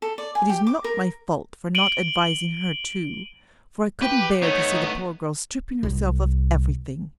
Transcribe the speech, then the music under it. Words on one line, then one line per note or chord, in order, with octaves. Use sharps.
It is not my fault for not advising her to, for I couldn't bear to see the poor girl stripping herself of everything.
A4
D5
G#5
G4
D6
A#4
D7 D#7 F#7 G7
G4 B4 G5
A3 B3 D#4 C#5
C2